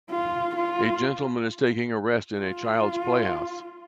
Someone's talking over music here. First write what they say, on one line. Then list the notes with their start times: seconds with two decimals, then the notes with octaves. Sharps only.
A gentleman is taking a rest in a child 's playhouse.
0.10 F4
0.56 F4
2.40 F4